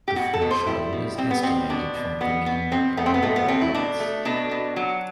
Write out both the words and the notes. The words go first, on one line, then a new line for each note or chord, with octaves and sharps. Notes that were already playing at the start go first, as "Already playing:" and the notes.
A threshold is estimated from the mean midpoint of all runs.
G4
B2 F#4
A4
B2
C5
G3 E4
B2
G3 C4
B3
B2 C4
B2 D4
B2
B2 B3
B2 B3
B2 C4
A3 B3
C4
B3
B2 A3
B3
A3 C4
E4
B2 D4
A3
B2 D4
B2
F#3